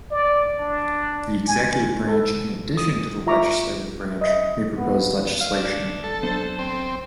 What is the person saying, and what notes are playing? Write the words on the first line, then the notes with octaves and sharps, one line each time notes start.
The executive branch, in addition to the legislative branch, may propose legislation.
D5
D4
G#5
A4
D#6
F4 E5 A#5 C#6 D6
D#5 E5
B3
F5
D4
A4
F#3 B3 D4 C5
C4